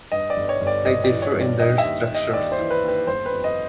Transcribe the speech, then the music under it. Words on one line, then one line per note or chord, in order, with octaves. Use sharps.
They differ in their structures.
G2 D#5
D5
G1
C#5
G1
D5
G1 D#5
D5
E3
C#5
G2
D5
D#2 D#5
E5
D#2
D#2
D#5
D#2 D5
C5
E3
B4
D#2
B4
G1 C5
B4
F2
D#5